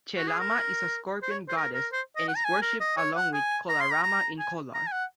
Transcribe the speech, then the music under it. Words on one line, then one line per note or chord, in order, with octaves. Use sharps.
Chelamma is a Scorpion goddess and is worshipped along with Kolaramma in Kolar.
F#4
G#4
A#4
C5
C#5
C5
A#4
A#4
C5
D#5
F#5
A#5
G#5
A#4
D#5
C#5
F#5
G#5
A#5
C6
A#5
A#5
G#5
A#5
G#5
F#5